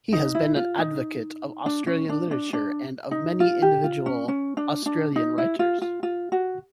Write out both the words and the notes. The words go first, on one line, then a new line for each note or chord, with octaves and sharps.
He has been an advocate of Australian literature and of many individual Australian writers.
D#4
E4
F4
D#4
D4
C#4
D4
D4
D4
D#4
F4
G4
F4
C#4
C#4
D4
D4
D#4
E4
F4
F4
F4
F#4